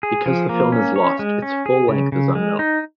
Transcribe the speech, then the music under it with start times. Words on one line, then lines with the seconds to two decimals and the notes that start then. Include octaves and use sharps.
Because the film is lost, its full length is unknown.
0.03 G#4
0.26 F3
0.49 A#3
0.72 C#4
0.96 C#5
1.19 G#3
1.42 C#4
1.66 G#4
1.89 C#3
2.12 C#3
2.35 G#3
2.59 D#4